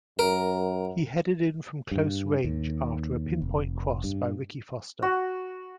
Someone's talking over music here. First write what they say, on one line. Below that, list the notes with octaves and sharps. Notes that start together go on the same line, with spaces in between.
He headed in from close range after a pinpoint cross by Ricky Foster.
F#2 A#4
G2
D#2
F1
G2
F#4